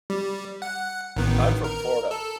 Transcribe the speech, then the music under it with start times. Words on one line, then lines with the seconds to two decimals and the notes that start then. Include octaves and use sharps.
I'm from Florida.
0.10 G3
0.62 F#5
1.16 A1 D#3 B3
1.64 A#4
2.11 A4